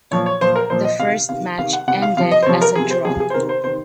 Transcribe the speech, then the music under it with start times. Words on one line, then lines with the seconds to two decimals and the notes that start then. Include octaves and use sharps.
The first match ended as a draw.
0.11 A#2 F3 C#5
0.26 C#5
0.41 A#2 F3 C5
0.56 A#4
0.70 A#2 F3 C5
0.84 D#5
0.99 C3 D#3 F5
1.29 C3 D#3 F5
1.58 C3 D#3 F5
1.73 F#5
1.88 C3 F#5
1.92 D#3
2.02 F5
2.17 C3 F5
2.20 F3
2.31 D#5
2.43 C5
2.46 C3 F3 C#5
2.62 A#4
2.75 C3 F3 G#4
2.90 C5
3.05 C3 F3 G#4
3.20 G#4
3.30 C5
3.34 C3 D#3 A#4
3.49 C5
3.64 C3 D#3 C5